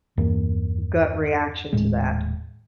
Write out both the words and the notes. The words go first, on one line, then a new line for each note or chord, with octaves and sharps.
gut reaction to that?
E2 G2 A#3
D#1 A2 G#3